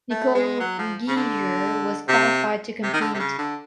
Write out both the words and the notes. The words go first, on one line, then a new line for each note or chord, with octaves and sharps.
Nicole Geiger has qualified to compete.
A3
G#3
F#3
F3
C#3
D3
C3
C3
D#3
D3
C3
C#3
D3